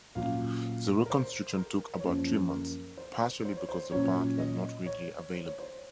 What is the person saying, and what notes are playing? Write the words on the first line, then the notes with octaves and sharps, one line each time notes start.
The reconstruction took about three months, partially because the parts were not readily available.
A#2 F#3 C#4 F5
A#4
C5
A#4
C#5
F#2 F3 A#3 C#4 C5
A#4
C5
C5
C#5
C5
A#2 F#3 C#4 C#5
D#5
C#5
C5
C#5
C5